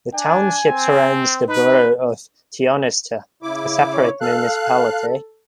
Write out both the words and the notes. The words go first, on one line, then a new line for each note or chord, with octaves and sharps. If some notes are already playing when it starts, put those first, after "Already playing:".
The township surrounds the borough of Tionesta, a separate municipality.
D4 G#5
C4
D#4 B4
C#3 E4 D6
C#5
A4 F5 F#6